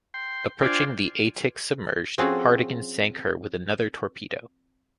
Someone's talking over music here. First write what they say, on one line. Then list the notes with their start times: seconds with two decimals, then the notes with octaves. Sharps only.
Approaching the "Atik" submerged, Hardegen sank her with another torpedo.
0.14 G5 C6
0.62 D4 F4 C5 D5 G5 G#5
2.18 F3 C4 C#4 F#4 G#4 A4